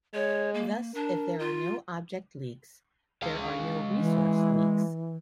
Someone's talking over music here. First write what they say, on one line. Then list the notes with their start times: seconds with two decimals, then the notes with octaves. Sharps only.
Thus if there are no object leaks, there are no resource leaks.
0.14 G#3 C#5
0.54 A#3
0.95 D4 A#4
1.39 F4
3.22 G#3 F5
3.98 E3